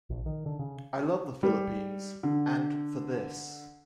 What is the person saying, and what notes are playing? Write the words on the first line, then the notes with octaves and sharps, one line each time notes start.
I love the Philippines - and for this...
A#1
D#3
D3
C#3
G3
D3